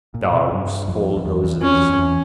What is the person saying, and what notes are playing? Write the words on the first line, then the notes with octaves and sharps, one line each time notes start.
Dogs' cold noses.
A#2
C3
G2
F2
F2
E2
E2
E2 C#4
F2
E2